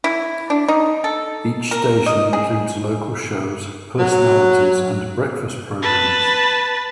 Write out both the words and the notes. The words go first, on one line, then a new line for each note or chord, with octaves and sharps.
Each station includes local shows, personalities and breakfast programmes.
E4
D4
D#4
A4
A#4
D#5
G#4
F#3
B4 A5